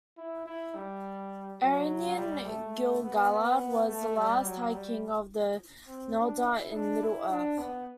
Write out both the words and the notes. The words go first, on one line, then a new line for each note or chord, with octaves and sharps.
Ereinion Gil-galad was the last High King of the Noldor in Middle-earth.
E4
E4
G3
F#3
G3
A3
B3
B3
A3
G3
F#3
G3
C4
D4
E4
D4
E4
D4
B3